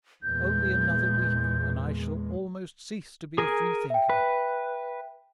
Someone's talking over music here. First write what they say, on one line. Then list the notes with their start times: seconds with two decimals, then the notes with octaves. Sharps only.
Only another week and I shall almost cease to be a free thinker!
0.23 E2 A#2 G#3 G6
3.38 G#4 A#4 G#5
3.90 E5 G5
4.10 B4